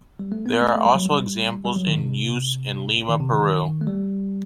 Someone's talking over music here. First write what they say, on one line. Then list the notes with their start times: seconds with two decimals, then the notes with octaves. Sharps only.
There are also examples in use in Lima, Peru.
0.19 G3
0.32 A3
0.46 B3
0.61 A3
0.76 A3
0.86 G3
0.95 F#3
1.06 G3
1.65 G3
1.76 F#3
1.87 D#3
1.98 C3
3.09 D#3
3.20 C3
3.32 D#3
3.43 D#3
3.65 D#3
3.81 A3
3.87 G3